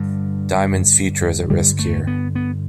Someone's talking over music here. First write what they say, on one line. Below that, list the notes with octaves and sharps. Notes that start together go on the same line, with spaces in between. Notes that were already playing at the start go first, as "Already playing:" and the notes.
Diamond's future is at risk here.
Already playing: G2 D3 G3
G2 D3 G3
A3
B3
B3